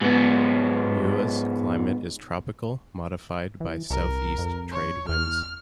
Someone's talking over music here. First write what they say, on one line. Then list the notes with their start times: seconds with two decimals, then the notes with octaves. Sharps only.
Niue's climate is tropical, modified by south-east trade winds.
0.01 G#2 B3
3.60 E3
3.90 C2 A#4
4.38 F2
4.72 C#5
5.09 E2 F6